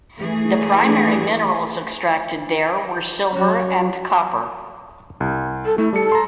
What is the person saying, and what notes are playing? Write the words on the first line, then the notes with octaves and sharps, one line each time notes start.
The primary minerals extracted there were silver and copper.
E3 A3 G#4
F#3 C#4 F#4 C#5
C2
A4
A3 E4
G3 A4 A5 C#7
A#5 C6